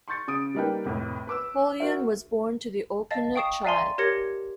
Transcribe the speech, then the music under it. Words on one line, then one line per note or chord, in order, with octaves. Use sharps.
Hoelun was born to the Olkhunut tribe.
C6 C#6 G6 A6 C#7
C#3 D#6 D7
G3 A#3 D#4 A#4 B4 G5
F1 F2 A2
B4 D6 E6
F#4 A#4 C5 E5
D#5 F5 A5 A6
F5 G5 C#6 D#6 C7 E7
D5 E5 F5 G#5 A#5 C6
G4 A#4 C#5 G#6 A#6 C#7